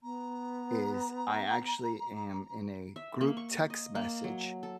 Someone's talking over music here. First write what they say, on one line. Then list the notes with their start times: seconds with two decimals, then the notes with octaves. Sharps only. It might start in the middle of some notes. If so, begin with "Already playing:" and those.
is I actually am in a group text message
0.03 B3 A#5
2.96 E5
3.21 A#3
3.37 C#6
3.70 D#5
3.95 A#3
4.24 F#3
4.63 A4